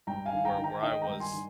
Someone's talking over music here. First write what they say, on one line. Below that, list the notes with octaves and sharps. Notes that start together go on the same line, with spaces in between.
where where I was,
G2 G5 A#5
F5 G#5
D#3
G5 A#5
D#3
G5 A#5
D#3 D#5 G5
G5 A#5
G2
G#5 C6
D#3